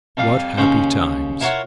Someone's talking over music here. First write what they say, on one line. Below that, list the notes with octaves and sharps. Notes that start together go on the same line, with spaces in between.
What happy times!
F2 G3 F5
D#2 C#3 C#4 C5
E4 F4 A#4 C#5 F#5